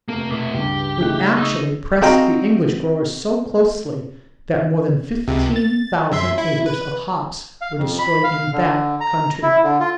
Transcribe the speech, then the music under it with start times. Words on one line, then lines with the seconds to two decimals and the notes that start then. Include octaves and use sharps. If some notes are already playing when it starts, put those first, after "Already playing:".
We actually pressed the English growers so closely that more than fifteen thousand acres of hops were destroyed in that country.
0.08 F1 A3 A#3
0.31 B2 E4
0.54 C#2 G2 G4
1.00 C#3 A3 D#4 F#6
1.37 D#4 C#6 D#6 E6
2.02 C4 F#4 D#5 F5 G5 A#5
5.28 C#2 C3
5.56 A6
6.12 F#2 E5 C6
6.38 E4
6.66 B4
7.61 F5
7.78 F2
7.99 B5
8.24 F5
8.53 D3
9.01 A#5
9.43 E4
9.64 D3
9.80 F4